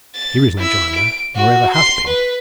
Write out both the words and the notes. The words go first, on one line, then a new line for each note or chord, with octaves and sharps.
Here is no Joanna, nor ever hath been.
A6
E4 E6
D7
F#4
C6 C7
B4